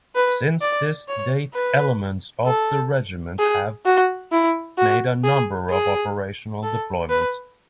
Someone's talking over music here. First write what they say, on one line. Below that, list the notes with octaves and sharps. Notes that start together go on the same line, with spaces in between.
Since this date elements of the regiment have made a number of operational deployments.
B4
D5
C#5
B4
A4
G#4
F#4
E4
F#4
G#4
G#4
A4
B4